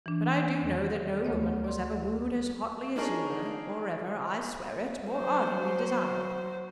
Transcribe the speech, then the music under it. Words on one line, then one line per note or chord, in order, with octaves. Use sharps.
But I do know that no woman was ever wooed as hotly as you were--or ever--I swear it--more ardently desired.
E3 D4
E2 D#3
D2 A3 C#5 D#5
D5 C6
D4 D#4 G#4 A#4 C#5
F#3 C5